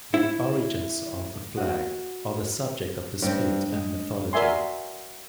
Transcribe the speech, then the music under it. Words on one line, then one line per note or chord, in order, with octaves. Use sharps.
The origins of the flag are the subject of dispute and mythology.
E4
F#4
G2 C4
G#3
F#4 A#4 D5 E5 G#5 C6